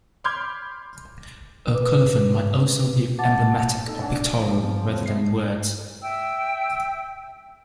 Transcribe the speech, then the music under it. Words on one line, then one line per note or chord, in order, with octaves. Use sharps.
A colophon might also be emblematic or pictorial rather than in words.
B5 C6 D6 F6 G6 G#6
B4 D6
F#5 A5 D6 A6
D#4 A4
D4 F#5 G#5 A5
F3
F#2
F2
B3 E5 C7
E5 G5 E6